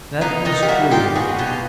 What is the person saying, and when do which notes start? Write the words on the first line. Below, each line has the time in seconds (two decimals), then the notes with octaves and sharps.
That was true.
0.21 B3 D#4 F4
0.45 D#3 D#4 F4
0.62 G4
0.68 G3 E4 F#4
0.91 D#3 F4 G4
1.15 B3 F#4 G#4
1.38 B2 F4 G4